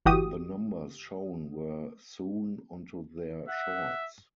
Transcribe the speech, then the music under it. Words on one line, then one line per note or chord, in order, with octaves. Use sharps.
The numbers shown were sewn onto their shorts.
G1 E3 F#4 G4 D#6
E5 F#5